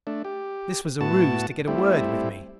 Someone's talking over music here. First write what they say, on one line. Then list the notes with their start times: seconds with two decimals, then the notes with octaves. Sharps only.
This was a ruse to get a word with me.
0.07 A3 D4
0.24 G4
1.01 A2 B3 F#4 A5
1.68 G3 A3 C4 E4